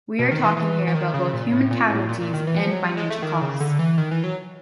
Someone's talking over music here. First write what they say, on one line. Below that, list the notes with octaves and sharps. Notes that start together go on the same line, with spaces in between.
We are talking here about both human casualties and financial costs.
B2
D#3
E3
E3
E3
D#3
C#3
A#2
A2
A#2
A2
A#2
A#2
D#3
E3
F3
F#3
G3
G#3
A3
D#3
C#3
D3
E3
D#3
E3
F#3